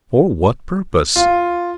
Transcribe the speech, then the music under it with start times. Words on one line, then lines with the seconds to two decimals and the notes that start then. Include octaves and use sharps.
"For what purpose?"
1.16 F4